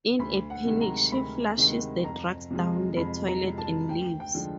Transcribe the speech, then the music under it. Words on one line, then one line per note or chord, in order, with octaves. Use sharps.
In a panic, she flushes the drugs down the toilet and leaves.
D2 B5
F#5
C3 D#3 G#3
A#5
D2 B5
C3 D#3 G#3
F2 A#5
C3 F3 G#3
F2 B5
A#5
C3 F3 G#3
A5
D2 G5
G5
D3 F3 G#3